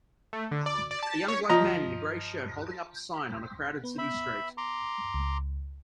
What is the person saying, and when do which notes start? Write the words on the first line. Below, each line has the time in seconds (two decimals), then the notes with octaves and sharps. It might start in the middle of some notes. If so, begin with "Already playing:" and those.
A young black man in a gray shirt holding up a sign on a crowded city street.
0.33 A3
0.51 D3
0.66 D5
0.91 D5
1.03 A5
1.28 C#5
1.49 F3 D#5 A#5
3.84 B3
3.98 E5 B5
4.58 A#5 C6 D6
5.14 C#2